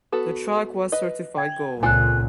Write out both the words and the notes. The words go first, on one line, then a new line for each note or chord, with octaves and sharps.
The track was certified gold.
B3 F#4 A4
B4 D#5
G5 G#6
C#2 A#2 C4 F4 A4 G#5 F#6